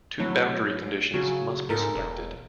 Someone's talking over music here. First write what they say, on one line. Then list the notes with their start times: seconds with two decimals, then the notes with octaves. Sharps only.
Two boundary conditions must be selected.
0.20 A2 F#3
1.14 C#3 F#3
1.69 G#2 A4 A#4
1.95 E1